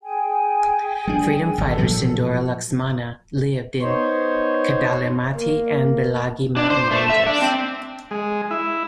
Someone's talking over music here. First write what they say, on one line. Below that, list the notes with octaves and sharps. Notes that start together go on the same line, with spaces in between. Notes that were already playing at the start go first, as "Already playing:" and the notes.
Freedom fighter Sindhoora Laxmana lived in Kadalimatti and Bilagi mountain ranges.
G#4 G5 G#5
G3 D4
G#1 A4
A#2 F3 F#3
B3 D#4 C5 C#5
A#3
D4
C5
A3
E5
D4
C4
G#3
E4